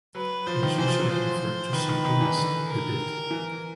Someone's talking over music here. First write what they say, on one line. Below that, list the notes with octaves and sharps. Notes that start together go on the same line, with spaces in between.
It is usually referred to simply as the "bid".
F#3 B4
F3 C5
D#3
E3 C5
F3
F#3
F3 C5
D#3 B4
D#3
D#3
E3
D3
A#4
E3